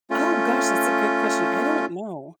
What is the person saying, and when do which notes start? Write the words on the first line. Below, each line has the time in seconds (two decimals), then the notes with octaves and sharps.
Oh, gosh, that's a good question, I don't know.
0.10 A3 C#4 F4